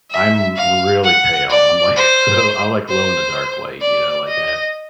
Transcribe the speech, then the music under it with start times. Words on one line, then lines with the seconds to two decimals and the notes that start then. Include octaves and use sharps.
I'm really pale, I'm, like, so I'm like, glow-in-the-dark white, you know? Like, uh,
0.11 E5
0.56 F5
1.04 F#5
1.50 D5
1.96 C5
2.89 C5
3.82 D5
4.27 D#5